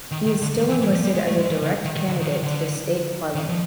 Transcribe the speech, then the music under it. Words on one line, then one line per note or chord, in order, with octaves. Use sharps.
He is still enlisted as a direct candidate to the state parliament.
D#3
D#3
D3
D#3
E3
E3
F3
G3
G#3
A3
G#3
E3
D3
D#3
D#3
D3
D#3
D3
D#3
D3
D#3
F3